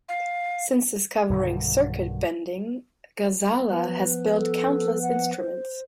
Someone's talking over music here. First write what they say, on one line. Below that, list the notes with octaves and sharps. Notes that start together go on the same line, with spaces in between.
Since discovering circuit bending, Ghazala has built countless instruments.
F5
B1 G2 D3 D#3
F3 B3 B4
A4
F#5
C5